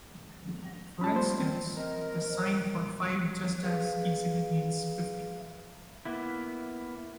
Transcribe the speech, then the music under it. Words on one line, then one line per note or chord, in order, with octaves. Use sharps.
For instance, the sign for five just as easily means fifty.
C#4 F4 A5 B5
G3 C5
C4
A#4 D#5
G#4 B4 F5
A#3 B3 E4